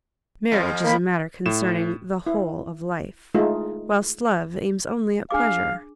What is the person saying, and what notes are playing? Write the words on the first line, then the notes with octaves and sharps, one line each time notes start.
Marriage is a matter concerning the whole of life, whilst love aims only at pleasure.
F2 F3
A#3 B5
A2 E7
E4
G#3 A3 D#4 F4
D4 G#4 F5 D6